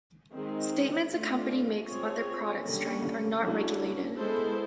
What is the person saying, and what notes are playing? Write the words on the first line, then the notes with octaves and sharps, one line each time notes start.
Statements a company makes about their product strength are not regulated.
D#3 G#3 C4 D#4 G#4
A3 D4 F4
C4 F4 G#4 C#5
D3 G3 A#3 C#4
D3 F#3 A#3 C#4 E4
G#3 B3 E4 A4 C5